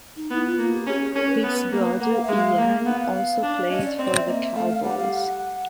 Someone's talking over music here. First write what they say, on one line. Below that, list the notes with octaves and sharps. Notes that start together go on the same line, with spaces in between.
His brother, Ian, also played for the Cowboys.
D#4
B3 E4
F4
A#3 F4
G4
C#4 G#4
G#4
C#4 A#4
B4
B3 B4
A#3 B4
A#3 F#5
F5
G#3 E5
F5
A#3
B3 F#5
F5
F5
D4
C#4 D#5
D5
C4 D5
E5
A#3 D#5
E5
A3 F5
F5
G3 F#5
F5
F#5